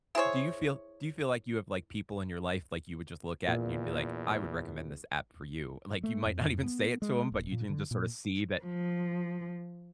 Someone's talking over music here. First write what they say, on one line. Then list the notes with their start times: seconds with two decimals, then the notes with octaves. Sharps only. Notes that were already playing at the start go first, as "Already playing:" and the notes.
Do you feel do you feel like you have, like, people in your life, like, you would just look at and you'd be, like, "I would recommend this app for you." Like, you might not even say it to 'em, but you can just sorta see that
0.15 E4 G#4 C5 C#5
3.48 E2 A#2
6.04 A3
6.25 F2
6.63 B3
7.02 G#3
7.32 D#1
7.52 A#2
7.70 D3
7.91 A#2
8.64 F3